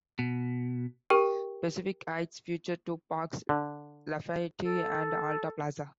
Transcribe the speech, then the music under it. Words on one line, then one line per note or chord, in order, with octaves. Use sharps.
Pacific Heights features two parks, Lafayette and Alta Plaza.
B2
G4 A#4 G5 C#6 F6 D#7
D3
A4